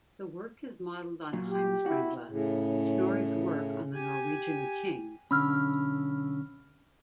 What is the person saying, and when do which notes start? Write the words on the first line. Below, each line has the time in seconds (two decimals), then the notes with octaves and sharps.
The work is modelled on the "Heimskringla", Snorri's work on the Norwegian kings.
1.33 A#2 F#3
1.48 G4
1.86 E4 F#4
2.29 A2 C#3
3.93 G4 G#5
5.31 B1 D3 C#4 B5 E6 F6